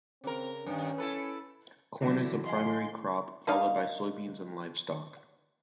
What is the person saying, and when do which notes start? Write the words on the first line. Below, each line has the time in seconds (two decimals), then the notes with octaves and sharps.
Corn is the primary crop, followed by soybeans and livestock.
0.24 C#3 C4 A#4
0.66 G2 D#3 C#4
0.98 E4 A4 B4
2.02 D3 E3 F#3 E4 F#4 D5
2.46 D#5 F5 G#5 C6
3.47 A#3 D4 D#4 F5